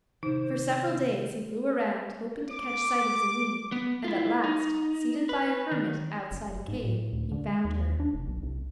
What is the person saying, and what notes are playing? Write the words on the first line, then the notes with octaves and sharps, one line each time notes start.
For several days he flew around hoping to catch sight of Zelie, and at last, seated by a hermit, outside a cave, he found her.
C3 D#3 D#4 C5
D6
B3
E4 F4
D#4
B4
D#3
F#1
G#2
A2
D2
D3
G#3
D#2
D4
F1
B1
C2